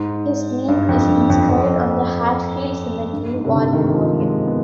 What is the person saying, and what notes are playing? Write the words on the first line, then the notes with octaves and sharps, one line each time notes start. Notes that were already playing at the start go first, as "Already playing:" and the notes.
His name is inscribed on the Hatfield Cemetery War Memorial.
Already playing: G#2
G2
F2
G2
F2
F2
G2
G#2
C3
D3
D#3
D#3
F3
G#3
B3